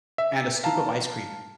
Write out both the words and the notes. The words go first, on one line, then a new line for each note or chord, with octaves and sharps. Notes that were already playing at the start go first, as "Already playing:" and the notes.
and a scoop of ice cream.
E5
F5 A5 A#5